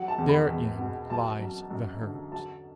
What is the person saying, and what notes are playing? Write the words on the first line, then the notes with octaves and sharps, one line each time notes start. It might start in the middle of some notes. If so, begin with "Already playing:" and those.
Therein lies the hurt.
Already playing: F#3 F#5
A5
E2
B5
E2
B2
F#3 A5
F#2
F#2
D3
F#3 A5